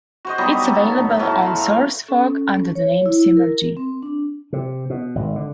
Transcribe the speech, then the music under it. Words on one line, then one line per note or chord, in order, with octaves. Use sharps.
It is available on SourceForge under the name "Simergy".
F#4 C5 D#5
F#3 G3 B3 D#4
A4
A2 F#3 F5
C6
F5
C#4 A4
C#5
E4
A#4
C4
D4
C3
B2
G#1
D3